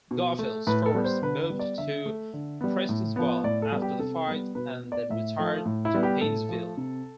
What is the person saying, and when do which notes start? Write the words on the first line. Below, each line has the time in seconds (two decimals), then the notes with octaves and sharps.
Garfield's force moved to Prestonsburg after the fight and then retired to Paintsville.
0.11 B2
0.39 A3
0.67 A2 B4
0.86 A4
0.95 G3 B3
1.04 C5
1.22 D3 B4
1.41 B4
1.50 G3 B3
1.59 D5
1.78 D3 E5
2.06 A3
2.33 D3
2.61 G3 B3
2.89 A2
3.16 F3 B3
3.44 A2 D5
3.62 A4
3.72 G3 B3
3.82 G4
3.99 C3 A4
4.27 G3 B3
4.55 B2 B4
4.83 B3
4.92 D5
5.10 A2 E5
5.39 F3 A3
5.66 A2
5.85 E4
5.94 G3 B3
6.03 G4
6.21 A2 A4
6.49 F3 A3
6.77 C3